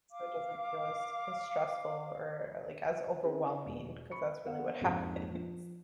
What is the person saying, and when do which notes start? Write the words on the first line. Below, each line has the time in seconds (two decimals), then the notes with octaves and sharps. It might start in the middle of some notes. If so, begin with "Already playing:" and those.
So, it doesn't feel as as stressful or, like, as overwhelming 'cause that's really what happens.
0.10 F5 D6
3.23 C4 C#4 E4 G#4
3.62 E1 D5
4.11 B5 C#6 C#7
4.44 B3 A#4 F5 F#5
4.81 A#1 F2 G#2 F#4
5.31 F3